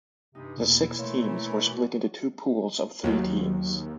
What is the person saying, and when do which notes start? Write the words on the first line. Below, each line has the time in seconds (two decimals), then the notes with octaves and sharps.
The six teams were split into two pools of three teams.
0.35 G2 C3 E3 D#4
0.58 E2 B2 E3 A#3
0.98 A3 A#4 C#5 F5 C6
1.64 F#4 D6
3.04 D#2 F#3